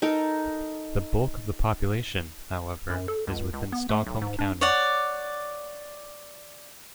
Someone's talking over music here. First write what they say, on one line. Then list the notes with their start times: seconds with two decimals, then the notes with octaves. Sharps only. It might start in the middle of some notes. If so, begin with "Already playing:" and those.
The bulk of the population, however, is within Stockholm County.
0.02 D#4 A4 A#4
2.90 F#2
3.08 A4
3.27 C#2
3.53 C#2
3.72 B3
3.89 A3
4.07 B1
4.22 G#2
4.39 D4
4.61 C#5 D5 F#5